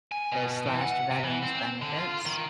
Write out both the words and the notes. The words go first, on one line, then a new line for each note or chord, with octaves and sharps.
they slashed veterans benefits.
G#5
B2
E3
F#5
C3
E3
C4
D3
F4
D#3